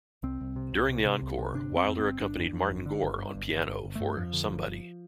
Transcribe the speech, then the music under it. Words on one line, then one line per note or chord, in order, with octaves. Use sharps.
During the encore, Wilder accompanied Martin Gore on piano for "Somebody".
C2 C4
C2
C3
C2
C3
C3
C2
C3
G1 D4
F2 C4
F2
G1 C4
G1 D4
F2
F2
G1
D3
G1
G2
G1
G1
G1
G1
A3
G2
F2 F3
D3
G1
G1